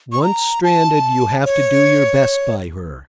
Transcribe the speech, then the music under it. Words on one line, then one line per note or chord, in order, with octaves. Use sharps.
Once stranded, you have to do your best by her.
C#6
A#5
A5
C#5